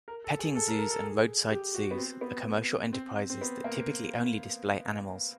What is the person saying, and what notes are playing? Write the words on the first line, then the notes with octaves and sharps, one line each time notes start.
Petting zoos and roadside zoos are commercial enterprises that typically only display animals.
A#4
A4
G#4
A4
A#4
A#4
A4
G#4
G4
F#4
B3
C4
B3
C4
C4
B3
A#3